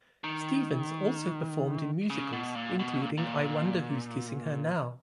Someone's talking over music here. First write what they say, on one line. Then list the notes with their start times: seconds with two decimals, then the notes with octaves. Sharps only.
Stevens also performed in musicals including I Wonder Who's Kissing Her Now?
0.24 D#3
2.10 C#3
2.33 B2
2.55 A#2
2.79 B2
3.02 A#2
3.18 A#2